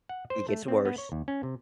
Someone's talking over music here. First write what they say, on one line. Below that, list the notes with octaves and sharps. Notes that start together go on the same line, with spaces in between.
It gets worse,
F#5
C5
A3
C4
B3
C#5
D#2
C#4
C3